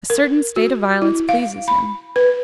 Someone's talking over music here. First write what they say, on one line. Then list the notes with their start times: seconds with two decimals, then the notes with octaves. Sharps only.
A certain state of violence pleases him.
0.10 A#4
0.56 F#4
1.02 E4
1.29 F5
1.68 B5
2.16 B4